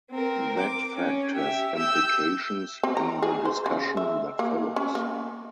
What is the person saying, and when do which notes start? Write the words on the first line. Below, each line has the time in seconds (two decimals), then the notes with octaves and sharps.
That fact has implications in the discussion that follows.
0.10 C4 A#4
0.60 D6
0.95 C#4
1.35 G4 E5
1.76 E6 G6
2.83 C4
2.97 A#5
3.23 G#4
3.45 C5
3.66 C#3
3.97 E5
4.39 A#3
4.76 C#4
4.95 A#3